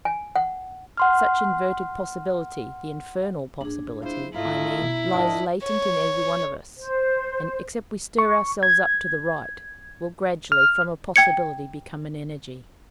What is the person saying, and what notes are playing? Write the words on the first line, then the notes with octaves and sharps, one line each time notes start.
Such inverted possibility, the infernal possibility, I mean, lies latent in every one of us, and, except we stir ourselves up to the right, will gradually, from a possibility, become an energy.
G#5
F#5
F#5 C6 F6
G1 D#2 D4 G#4
F#3 B3 E4 F4 C5
G#1 A3 E4 F4 D#5 A#5
B2 B3
G#2 D#3 D4 F4 D#5 F#5 A5
C#5
C5
C#6
G#6
F6
G5 G#6 C#7